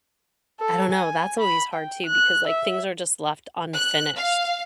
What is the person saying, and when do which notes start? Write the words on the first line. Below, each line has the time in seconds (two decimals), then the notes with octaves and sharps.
I don't know. That's always hard too because like things are just left unfinished
0.60 A4
0.92 G#5
1.40 B5
1.74 G5
2.06 F#6
2.47 E5
3.74 F#6
4.16 F5